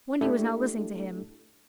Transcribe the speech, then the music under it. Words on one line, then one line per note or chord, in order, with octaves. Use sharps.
Wendy was not listening to him.
A3 D4 E4 G4 A4